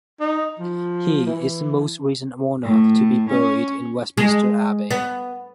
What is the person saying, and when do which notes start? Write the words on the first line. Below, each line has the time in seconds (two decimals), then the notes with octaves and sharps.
He is the most recent monarch to be buried in Westminster Abbey.
0.20 D#4
0.59 F3
1.26 E3
2.62 A2
3.29 C#4
4.17 G#3
4.91 B3